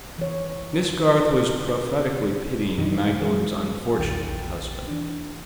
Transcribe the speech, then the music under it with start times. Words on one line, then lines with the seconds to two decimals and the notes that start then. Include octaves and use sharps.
Miss Garth was prophetically pitying Magdalen's unfortunate husband.
0.19 E3 C#5
2.78 F#2 B2 D#3 E3 D4 D#4
3.21 E3 G#3 G#4
3.97 A#1 E2 D#3 G5 A6
4.88 E3 D4